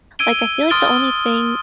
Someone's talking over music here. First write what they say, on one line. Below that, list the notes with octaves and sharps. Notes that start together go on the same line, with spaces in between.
Like I feel like the only thing
E6 G#6 D7 D#7 G7
C6 D#6 F6 A6 D7 G7